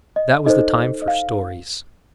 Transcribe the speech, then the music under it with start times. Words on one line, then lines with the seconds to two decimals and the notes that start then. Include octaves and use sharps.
That was the time for stories.
0.16 D#5
0.46 D#4 A4 C5 D#5
1.02 D#5
1.08 F5